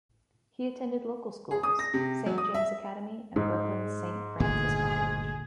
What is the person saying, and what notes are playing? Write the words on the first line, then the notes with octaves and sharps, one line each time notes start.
He attended local schools, Saint James Academy, and Brooklyn's Saint Francis College.
G#4
D#6
A#6
C3
F#3
D#6
E5
G#2 G#3
G1 D2 A#2 D3 D#3 G#4